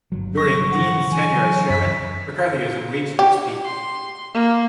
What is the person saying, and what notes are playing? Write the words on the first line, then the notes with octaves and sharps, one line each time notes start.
During Dean's tenure as Chairman, McCarthyism reached its peak.
G1 F#3
C#6 A#6
F#5
E3 F#3 G#5
F#2 B6
G4
C6
A#3